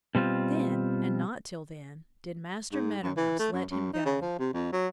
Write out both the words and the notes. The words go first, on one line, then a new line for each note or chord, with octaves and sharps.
Then--and not till then--did Master Meadow Mouse let him go.
B2 G3 C4 F4
G#2
F#2
E3
A3
F#2
F#2
D#4
C#3
F3
C3
F2
F#3